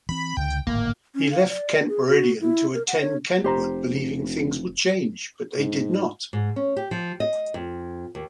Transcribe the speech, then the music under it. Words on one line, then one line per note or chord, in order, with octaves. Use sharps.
He left Kent-Meridian to attend Kentwood believing things would change, but they did not.
E3 C4 B5
C#2 D3 G5
D1 G#1 A2 A#3
C#4
F5
D5
G#4
F#4
E4
A#4
F#5
C#5
F1 G4 C5 A#5
G#2
G#2
C#4
G4
F3
D#5
F2
D#2